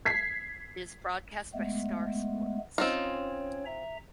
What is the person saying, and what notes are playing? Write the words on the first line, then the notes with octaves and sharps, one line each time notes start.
It is broadcast by Star Sports.
G#6 B6 C7
G#3 A3 B3
C4 C#4 D#4 F4 C#5
E5 A#5